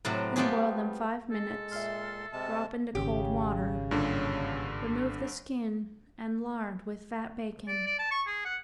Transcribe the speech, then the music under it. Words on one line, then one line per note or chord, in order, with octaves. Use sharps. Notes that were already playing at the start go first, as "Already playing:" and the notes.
Then boil them five minutes, drop into cold water, remove the skin and lard with fat bacon.
A2 C3 F#3 C4
G3 A3 B3 F4 G4 G#4
G#3 A4
A#2 E5 C6 F6
C3 G#3 A5
G#1 C#3 G4
G2 A#2 D3
D5
D5
A5
C#6
G#4
F#5